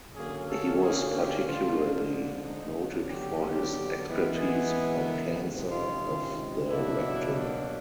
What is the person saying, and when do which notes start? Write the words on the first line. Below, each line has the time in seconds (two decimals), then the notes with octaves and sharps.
He was particularly noted for his expertise on cancer of the rectum.
0.15 D3 F#3 A#3 C#4 G#4
0.49 A4
0.81 G#4
1.14 G4
1.47 D3 F3 G#3 F4
2.13 D4
2.44 D#4
2.78 D3 F#3 B3 D4
3.10 G4
4.08 E3 G#3 B3
4.41 G#4
5.06 A#4
5.38 C3 D#3 G#3 C#4
5.71 F4
6.69 B2 F#3 A#3 D4 E4